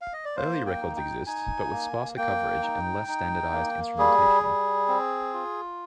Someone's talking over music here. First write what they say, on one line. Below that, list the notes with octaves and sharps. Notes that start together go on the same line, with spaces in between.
Earlier records exist, but with sparser coverage and less standardized instrumentation.
F5
D#5
D5
A#3 C5
G5
D#4
G5
D#4 G#5
A#3
A#3 G5
D#4
D#4
A#3
G3 G#4
G3
C4
F4